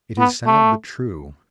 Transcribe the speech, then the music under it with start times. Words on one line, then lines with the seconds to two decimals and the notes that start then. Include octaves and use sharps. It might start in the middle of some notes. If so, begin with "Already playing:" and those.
It is sad but true.
0.18 B3
0.46 A3